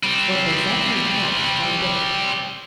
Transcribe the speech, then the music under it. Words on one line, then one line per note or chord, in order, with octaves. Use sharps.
"What does that mean, Harris?" cried Dick.
G3 C4